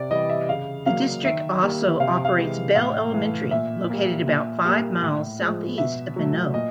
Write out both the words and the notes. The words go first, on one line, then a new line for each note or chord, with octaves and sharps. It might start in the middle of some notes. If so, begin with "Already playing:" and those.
The district also operates Bell Elementary, located about five miles southeast of Minot.
Already playing: C3 D5
E3 G3 D#5
E5
C#3 F5
F#3 A#3 F5
D#3 E5
G3 A#3
C3 F5
F5
E3 G#3
A2 F5
E3 A3
A#2 E5
G3 A#3
A#2
G3 A#3
A2
F3 G#3
B2 E5
F#3 A3
A#2 D#5